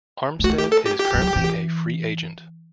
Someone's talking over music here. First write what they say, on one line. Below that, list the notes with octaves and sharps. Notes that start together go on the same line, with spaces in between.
Armstead is currently a free-agent.
G3
A3 F#4
G4
A4
G4
G4
E3
F#3
E3